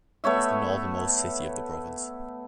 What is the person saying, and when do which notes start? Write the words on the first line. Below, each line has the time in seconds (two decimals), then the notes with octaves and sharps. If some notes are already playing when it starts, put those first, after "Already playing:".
It is the northernmost city of the province.
0.24 A3 B3 C#5 E5